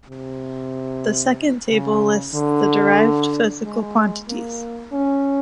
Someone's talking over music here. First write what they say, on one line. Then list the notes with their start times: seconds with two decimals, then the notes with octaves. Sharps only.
The second table lists the derived physical quantities.
0.09 C3
1.70 C#3
2.34 D3
3.63 G#3
4.28 A#3
4.93 C#4